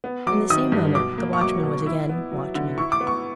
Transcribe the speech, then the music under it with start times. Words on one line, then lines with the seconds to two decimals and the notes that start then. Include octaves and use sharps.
In the same moment the watchman was again watchman.
0.04 B3
0.27 F#3 D6
0.50 D#3 D#6
0.72 G2
0.95 B2 D6
1.18 A#3
1.33 C#6
1.41 F#3 D6
1.63 B2
1.86 E4
2.09 B3
2.32 F#3
2.55 D3
2.78 E4 C#6
2.92 D6
3.01 B3
3.07 C#6